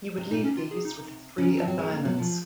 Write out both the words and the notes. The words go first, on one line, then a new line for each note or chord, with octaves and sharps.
He would leave these with the three of diamonds.
C3
A#2 D#4
C3 C#4
F4
G#4
D#4
C#3 C#4
D#3
F3 C4
F#3
G#3
A#3
F#3
F3